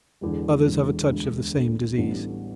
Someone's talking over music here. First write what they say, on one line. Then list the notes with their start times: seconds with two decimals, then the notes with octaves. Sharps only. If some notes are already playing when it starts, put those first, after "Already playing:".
Others have a touch of the same disease.
0.21 E1 E2 D3
0.65 E1 E2 D3
1.09 E1 D2 D3
1.54 E1 D2 D3
1.98 A1 A2 G3 B3 D4